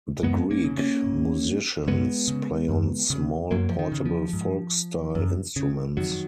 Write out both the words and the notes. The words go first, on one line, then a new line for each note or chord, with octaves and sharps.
The Greek musicians play on small portable folk style instruments.
F#2 G#3 B3
A#3 C#4
C#3
A#3 C#4
G#2
F#2 G#3 B3
C#3
F#2
C#3
F#2 F#3 A#3
F3
D#3
C#3
F3
G#2
F#2
C#3
F2 D#3 F#3